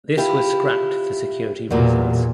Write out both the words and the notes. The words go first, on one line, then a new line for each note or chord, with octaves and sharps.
This was scrapped for security reasons.
E4 F4 G4
E2 A#2 F#3 G3 A#3